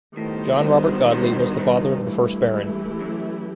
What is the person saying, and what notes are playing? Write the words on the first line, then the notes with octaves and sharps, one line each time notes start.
John Robert Godley was the father of the first Baron.
A2 D#3 G3 B3 F#4 C5
A2
G2
G2
A2
G2
G2
E3 A3 E4 G4
F#2